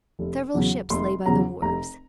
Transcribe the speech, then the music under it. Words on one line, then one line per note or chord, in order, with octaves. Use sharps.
Several ships lay by the wharves.
F1
E2 C#3 F#3
F1 C6
E2 C#3 F#3 A#5
F1 A#5